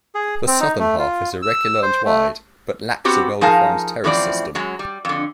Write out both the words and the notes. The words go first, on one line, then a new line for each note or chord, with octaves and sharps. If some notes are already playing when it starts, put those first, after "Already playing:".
The southern half is irregular and wide, but lacks a well-defined terrace system.
G#4
C4
D#4
A3
F4
E6
C5
A3
B3 C4 F#4 G4
F3 D#4 G#4 A#4 F5 A5
F#2 A2 E3 F3 C4 D5
F#2 F#3 G#3
G3
F2 D3